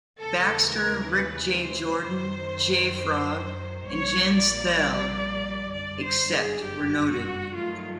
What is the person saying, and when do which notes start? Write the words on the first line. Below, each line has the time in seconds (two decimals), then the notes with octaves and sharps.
Baxxter, Rick J. Jordan, Jay Frog, and Jens Thele, except where noted.
0.19 D#2 C#3 E3 G#3 A4
0.65 A#4
1.11 B4
1.58 C5
2.04 F#2 D#3 F#3
3.88 A#1 A#2 G3 A#3 C#5
4.35 D5
5.73 G1 F#2 D3 G3 D5
6.03 C5
6.35 G#4
6.65 G4
7.11 F#4
7.57 G2 D#3 F#3 A3 F4